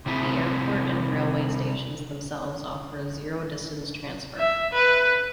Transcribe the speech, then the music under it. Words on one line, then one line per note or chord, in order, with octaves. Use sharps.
The airport and railway stations themselves offer a zero-distance transfer.
C3 C4 E4 G#4
E5
B4